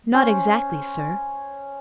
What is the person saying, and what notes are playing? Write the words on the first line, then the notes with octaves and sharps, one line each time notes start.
"Not exactly, sir."
C#4 C5